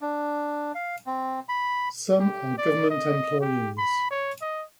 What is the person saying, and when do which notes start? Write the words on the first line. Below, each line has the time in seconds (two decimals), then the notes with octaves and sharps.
Some are government employees.
0.01 D4
0.75 F5
1.06 C4
1.49 B5
2.20 G4
2.58 D5
2.91 D#5
3.41 G4
3.78 B5
4.11 C#5
4.42 D#5